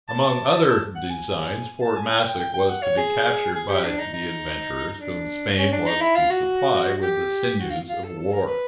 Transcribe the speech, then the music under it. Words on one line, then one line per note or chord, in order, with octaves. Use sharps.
Among other designs, Fort Massac was to be captured by the adventurers, whom Spain was to supply with the sinews of war.
A5
A5
F#5
G#5
A5
G#5
G5
G5
G5
G5
F#5
C#5
G#4
G#4
G4
D4
D#4
D#4
D4
C#4
D4
D#4
E4
F4
F#4
G4
F#4
F4
F4
A4
A4
A#4
B4